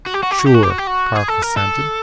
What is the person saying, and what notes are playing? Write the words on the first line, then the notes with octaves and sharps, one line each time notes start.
"Sure," Park assented.
F#4
G4
F#4
G4
F#4
G4
F#4
G4
F#4
G4
F#4
G#4
A4
A#4
A4